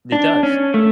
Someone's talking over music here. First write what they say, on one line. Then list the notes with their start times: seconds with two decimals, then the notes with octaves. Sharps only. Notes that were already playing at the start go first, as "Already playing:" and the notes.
It does.
0.12 D4
0.43 C#4
0.74 A3